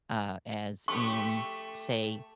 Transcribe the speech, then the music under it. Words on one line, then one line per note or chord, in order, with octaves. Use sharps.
uh, as in, say,
A3 G4 C#6